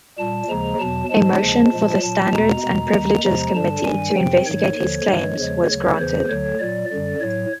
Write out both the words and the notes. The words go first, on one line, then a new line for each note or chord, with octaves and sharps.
A motion for the Standards and Privileges Committee to investigate his claims was granted.
A#2 G3 A5
D#2 C#3 F3 G#3 A#5
E2 B2 F#3 A5
G#2 F3 G#3 A5
D#2 C#3 F3 G#3
A#2 F3 G#3
A#2 F#3 A5
E2 B2 G#3 A#5
E2 B2 G#3
D#2 D#3 G#3
E2 C3 F3 G#3 A#5
G2 D3 G3 A5
G2 D#3 G3 G#5
F2 C3 F3 G5
G#2 D#3 F#3 C#5
D#2 D3 F3
G2 D#3 G#3
E2 C#3 F3 G#3
D2 C#3 F#3 C#5
E2 C#3 E3 C5
D2 D3 F#3 C#5
A#2 F#3 D5
F#2 D3 G3 D5
A2 F#3 C#5